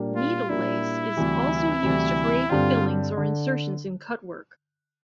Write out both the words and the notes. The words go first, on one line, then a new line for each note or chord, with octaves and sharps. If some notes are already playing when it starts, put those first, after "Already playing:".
Needle lace is also used to create the fillings or insertions in cutwork.
Already playing: A#2 G3 A#3 D4
F4
A#2 G3 A#3 D4 E4
D2 C3 E3 G3
D2 C3 E3 G3
G2 D3 G3 C4 F4
D3